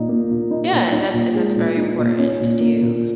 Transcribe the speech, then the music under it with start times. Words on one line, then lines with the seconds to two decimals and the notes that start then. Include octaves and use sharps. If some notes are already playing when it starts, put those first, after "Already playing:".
Yeah, and that's and that's very important to do.
Already playing: A#2 D#4
0.09 A#3
0.30 A#2
0.51 D#4
0.72 A#2
0.93 D#4
1.14 A#2
1.35 G#3
1.56 A#2
1.77 D#4
1.98 A#2
2.19 C#4
2.40 A#2
2.61 A#3
2.82 A#2